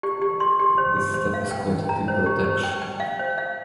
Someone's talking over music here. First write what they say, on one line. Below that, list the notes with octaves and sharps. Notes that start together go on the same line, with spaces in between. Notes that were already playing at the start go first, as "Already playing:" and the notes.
This step is called deprotection.
G4
G4
C6
G4
C5
G4
C5
F5
G5
G5
A#5
C5
G4
C5
G5
G5
F5
C5
F5